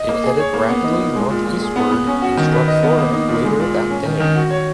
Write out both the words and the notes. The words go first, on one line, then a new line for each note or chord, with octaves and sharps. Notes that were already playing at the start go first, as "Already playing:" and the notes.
It headed rapidly northeastward and struck Florida later that day.
Already playing: D#5
A#3
G#4
C#5
A#3
B3
D#4
A#2
G#3
A#2
A#2
G#4
B3
B3
C#4
F#4
D#3
B4
D#5
B3
A#3
D#4
A#2
G#3
A#2
A#2
C#4
D#3
D#3
F#4
C#5